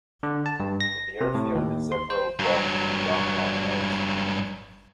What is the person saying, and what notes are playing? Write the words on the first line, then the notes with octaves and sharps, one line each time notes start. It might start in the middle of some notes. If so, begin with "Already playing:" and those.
The airfield is several blocks from downtown Nelson.
D3
A5
G2
A#6
C3
A2
D#2
C6
C5
G2 F#3